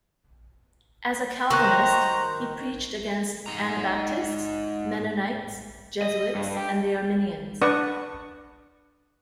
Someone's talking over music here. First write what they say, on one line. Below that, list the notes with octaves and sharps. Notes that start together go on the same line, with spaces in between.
As a Calvinist, he preached against Anabaptists, Mennonites, Jesuits and the Arminians.
D#3 F#4 C5 A#5 C#6 F#6
G#2 A#5
D#5
G2
G4
D4 B4 D5 F#5 C#6 D#6